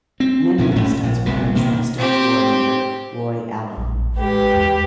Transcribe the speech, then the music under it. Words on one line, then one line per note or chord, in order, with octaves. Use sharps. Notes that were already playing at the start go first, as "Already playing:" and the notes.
Many of the stunts were arranged by Stunt coordinator Roy Alon.
C4
D#1 C3 C4 C#4
A1 G#2 A3 C#4
A#1
F1 C2 C3
A1 B2 D#3 A#3
C4 G4
A#1
A1 G#3 G4 B4
E2